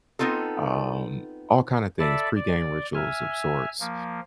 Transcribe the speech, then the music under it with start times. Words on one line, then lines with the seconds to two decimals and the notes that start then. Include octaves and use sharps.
um, all kinda things, pregame rituals of sorts.
0.19 B3 C4 D#4 F4 A4
1.99 A4 D5 E5 A5 B5
2.36 D5
2.94 E5 G#5 F6
3.80 F3 A#3